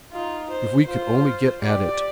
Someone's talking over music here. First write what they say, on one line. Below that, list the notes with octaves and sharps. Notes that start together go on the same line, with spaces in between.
If we could only get at it!
D#4 F4
C5
F4 C5
G4 D5